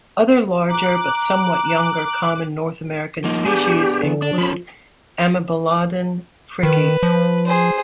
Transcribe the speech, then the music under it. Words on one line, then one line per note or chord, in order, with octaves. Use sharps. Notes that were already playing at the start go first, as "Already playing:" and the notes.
Other larger but somewhat younger common North American species include "Amebelodon fricki".
A#5 D6 F#6
F3 A#3 D#4
B3 D4 G4 G#4
D3
D4
F3 C#4 B5
D#3 B4
F3
G#4 C5